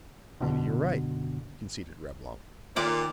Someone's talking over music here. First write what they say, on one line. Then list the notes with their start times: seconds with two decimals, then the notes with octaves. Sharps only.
"Maybe you're right," conceded Reblong.
0.40 F#1 B2 D3
2.76 A#2 D#3 D5